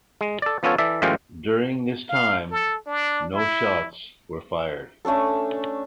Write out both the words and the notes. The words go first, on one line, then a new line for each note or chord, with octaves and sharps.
During this time, no shots were fired.
G#3
A4 D5
F3 B3 C#4 F4 A4 C#5
E3 A4 D5 E5
F#2 A2 E3 G#3 F4 G5
F5
A4
D4
E4
A3 C#4 D4 A4